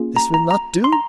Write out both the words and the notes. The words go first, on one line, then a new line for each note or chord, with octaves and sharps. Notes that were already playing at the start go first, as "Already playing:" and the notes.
'This will not do.
Already playing: A#3 C#4 F4 G#4
A#5
A#5
A#5
C6
A#5